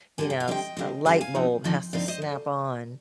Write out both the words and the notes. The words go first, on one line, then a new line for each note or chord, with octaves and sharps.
you knows a light bulb has to snap on,
D3 G3 C4 G#5
G5
F5
D3 G3 C4 D#5 G5
D3 G3 C4
D3 G3 C4 F5 G#5
F5 G#5
D3 F3 C4 D#4
D3 F3 C4 D#4
D3 F3 C4 D#4 D5 F5
C5 D#5
D3